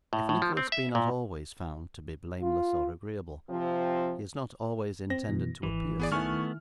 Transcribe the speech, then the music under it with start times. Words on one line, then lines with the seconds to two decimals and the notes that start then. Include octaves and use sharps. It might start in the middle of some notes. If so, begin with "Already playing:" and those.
If Nicholas be not always found to be blameless or agreeable, he is not always intended to appear so.
0.13 A2
0.29 A2
0.42 F3
0.57 C4
0.72 E5
0.95 A#2
2.42 F4
3.50 C3 F3 C4
5.10 C4 A#6
5.28 F#2 B2 E3
5.63 G#1 E3
6.00 B3 G#4 D5
6.12 D#3 A3 B3 E4 G#5 C#6 F6